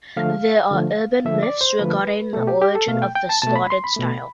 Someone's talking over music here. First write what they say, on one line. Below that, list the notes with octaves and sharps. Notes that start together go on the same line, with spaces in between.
There are urban myths regarding the origin of the slotted style.
D3 F3 A3 F5
D3 F3 A3
D3 F3 A3 E5
D5
C5
D3 F3 A3 B4
B2 A3 A4
G4
G4
A4
B2 A3 F5
G5
G5
A5
B2 A3 A5
B5
C6
B5
B2 A3